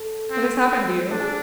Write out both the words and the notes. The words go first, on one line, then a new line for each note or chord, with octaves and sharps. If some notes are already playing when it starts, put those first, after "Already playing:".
What has happened to you?
Already playing: A4
C4
C4
D4 A4
G#4